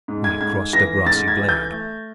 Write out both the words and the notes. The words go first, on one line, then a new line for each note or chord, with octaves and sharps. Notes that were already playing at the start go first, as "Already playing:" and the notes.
We crossed a grassy glade.
G#2
G#6
G#2 G#6
E3 A#6
G#2 A6
G#6
E3
G6
A3